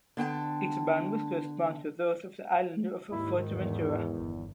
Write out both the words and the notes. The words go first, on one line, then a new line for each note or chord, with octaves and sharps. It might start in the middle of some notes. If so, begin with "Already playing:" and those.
Its boundaries correspond to those of the island of Fuerteventura.
D3 B3 G5 A5
D#2 G#2 D#3 E4
E2
G1